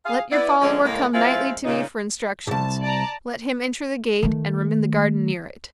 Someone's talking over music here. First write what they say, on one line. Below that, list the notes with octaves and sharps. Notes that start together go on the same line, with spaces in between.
Let your follower come nightly to me for instructions; let him enter the gate and remain in the garden near it.
G#4 F5
B3 E4 D5
D3 F3 G#3 C4 C#4
A2 C#3 G#3 A#3
F3 G#3 C4 E4 F4 F5
A#2 C#3 D#4
C2 G#2 A5
D5 A5 A#5
D#3 A3